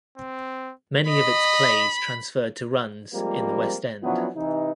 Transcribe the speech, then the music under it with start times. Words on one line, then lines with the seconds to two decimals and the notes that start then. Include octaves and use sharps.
Many of its plays transferred to runs in the West End.
0.17 C4
1.09 D#5 B5
3.13 F3 G3 G#3 A#3 C4
4.03 F3 F#3 B3 C#4 D4 E4
4.36 C3 E3 D#4